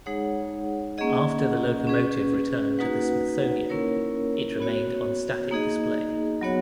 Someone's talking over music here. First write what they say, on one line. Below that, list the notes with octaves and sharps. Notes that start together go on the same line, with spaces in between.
After the locomotive returned to the Smithsonian, it remained on static display.
G#3 D#4 G#4 C#5 F#5
A#3 C#4 G#4 D#5 F#5
C#4 G#4 B4
A#3 D#4 F#4 B4 F#5
A#3 C#4 E4 A#4 C#5
B3 F#4 C#5
A#3 D#4 G#4 D#5
F#3 B3 F#4 C#5 F#5